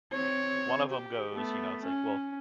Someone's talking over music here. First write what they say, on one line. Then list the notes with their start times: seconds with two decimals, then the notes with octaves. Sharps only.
one of them goes, you know, it's like, "Well,
0.12 C4 C#5
0.90 G4
1.34 A3 B3
1.84 C#4